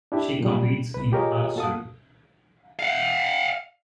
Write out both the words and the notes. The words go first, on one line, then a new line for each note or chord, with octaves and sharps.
She competes in archery.
D4 E4 G4
A#2 F#3 G3
C2 B4
F4 G4 G#4 A#4 C#5 D#5
A#3 F#4 A4 F5 D#6
F5 F#5